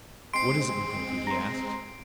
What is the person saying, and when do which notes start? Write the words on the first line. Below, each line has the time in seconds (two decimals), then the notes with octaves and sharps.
"What is it, Mukoki?" he asked.
0.33 G#3 C4 C6 C7 D7
1.27 A#5 C6